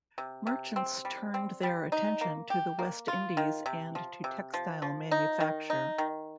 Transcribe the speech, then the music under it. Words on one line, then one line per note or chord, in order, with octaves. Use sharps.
Merchants turned their attention to the West Indies and to textile manufacture.
C3
C3
C4
G3
C4
G3
D#4
A#3
G4
A#3
F4
D#3
C3
F3
C3
F3
F3
D#4
D#3
D#4
D#3